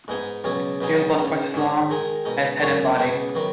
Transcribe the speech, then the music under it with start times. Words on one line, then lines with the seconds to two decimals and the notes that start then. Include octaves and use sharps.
Tail about twice as long as head and body.
0.08 G#2 G#3 B3 D#4 G#4
0.44 C#2 B2 F#3 C#4 G#4
0.81 B2 F#3 B3 D#4 G#4
1.17 C#2 C#3 G#3 B3
1.54 G#2 G#3 C#4 G#4
1.90 D#3 G#3 D#4 G#4
2.25 B2 G#3 D#4
2.62 F#2 C#3 G#3 C#4 F#4
2.98 C#2 B2 B3 G#4
3.35 D#3 F#3 B3